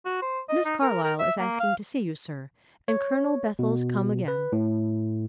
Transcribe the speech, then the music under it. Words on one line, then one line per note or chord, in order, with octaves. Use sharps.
"Miss Carlyle is asking to see you, sir, and Colonel Bethel's come again."
F#4
C5
D#5
D#4
A#4
A#4
E5
A#3
F5
C#5
B2
B4
A2